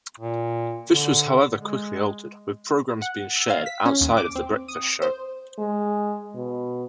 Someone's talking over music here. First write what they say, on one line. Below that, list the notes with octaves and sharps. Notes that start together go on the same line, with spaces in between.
This was however quickly altered, with programmes being shared outside of the breakfast show.
A#2
D3
G#3
F#5
E6
F5
B6
C#4
D#2
D6
C4
D#6
C5
G#3
B2